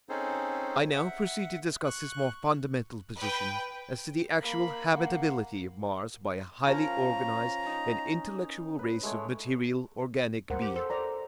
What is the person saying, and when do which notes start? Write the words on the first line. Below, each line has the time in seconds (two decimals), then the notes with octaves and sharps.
I now proceed to discuss his more fundamental position as to the actual habitability of Mars by a highly organised and intellectual race of material organic beings.
0.09 C4 C#4 D#4 G#4 A4 C5
0.94 E5 F#5
1.85 C#6 F#6
3.16 B4 G5
4.42 A#3 B5
4.91 A#3 F#5
6.67 F3 C#4 A#4 A#5
7.66 D#4
8.79 B4
9.03 G#3 A3 C#5
10.50 D#2 A#4 C5 F#5
10.62 G4
10.76 A4 C5
10.90 C5 D5 A#5